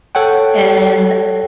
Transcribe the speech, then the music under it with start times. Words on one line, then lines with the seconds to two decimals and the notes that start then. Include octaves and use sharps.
And m
0.15 A4 C#5 F#5 G5